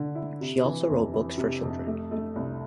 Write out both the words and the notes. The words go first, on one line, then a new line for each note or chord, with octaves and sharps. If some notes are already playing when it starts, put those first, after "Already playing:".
She also wrote books for children.
Already playing: D3
E4
C3
E3
F2
E3
C3
F2
A3
A3
C2